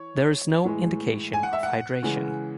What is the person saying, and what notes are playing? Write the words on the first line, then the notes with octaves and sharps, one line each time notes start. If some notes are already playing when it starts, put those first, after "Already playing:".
There is no indication of hydration.
Already playing: E3 C#5
A2 E3 G#3
G#5
F#5
E5
F#5
C#3 E3 G#3